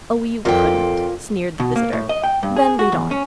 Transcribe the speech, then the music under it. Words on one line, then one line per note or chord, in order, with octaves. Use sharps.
"Oh, you couldn't," sneered the visitor; "then lead on!"
F2 A#2 A4 G5
B2
A#3
A2
D#5
G5
G2
G#4
F#4
E2
C#4